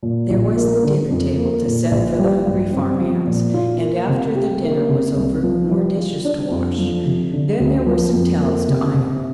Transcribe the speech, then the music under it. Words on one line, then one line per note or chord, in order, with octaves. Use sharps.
There was the dinner-table to set for the hungry farm-hands, and after the dinner was over more dishes to wash. Then there were some towels to iron.
A#2
A#1
A#3
D3
F2
A#3
A#2
A#1
G3
G2
C4
F3
A#2
F4
A#3
C3
G4
A#3
C3
C2
F3
G3
F4
D4
F2
F3
C3
D3
D2
F3
F2
A#3
C3
C3